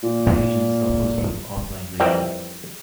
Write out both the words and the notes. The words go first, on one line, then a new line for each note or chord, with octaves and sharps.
The region suffers from out-migration.
A#2
F2 E3 G3 C4 A#4 G5